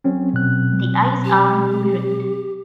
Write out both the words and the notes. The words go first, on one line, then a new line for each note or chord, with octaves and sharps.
The eyes are ruby red.
F#3 C4 C#4
B2 F#6
G4